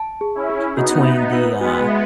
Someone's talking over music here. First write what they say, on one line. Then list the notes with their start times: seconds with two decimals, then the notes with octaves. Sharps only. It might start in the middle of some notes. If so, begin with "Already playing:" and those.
between the, uh,
Already playing: A5
0.21 G#4
0.35 C#4 E4
0.49 G#4
0.76 B3 D#4 F#4
1.05 E5
1.33 B4
1.61 G#3 B3 F#4
1.89 E5